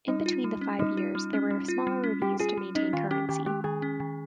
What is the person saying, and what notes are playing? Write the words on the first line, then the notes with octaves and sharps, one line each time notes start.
In between the five years, there were smaller reviews to maintain currency.
G3 D#4
F4
G3
C#4
G3 D#4
F4
G3
C#4
G3
F4
G3
C#4
G3 G4
F4 G#4
G3
C#4 D#4
D#3 F4
C#4 G4
D#3 G4
G#3 G4
D#3 G#4
C#4
D#3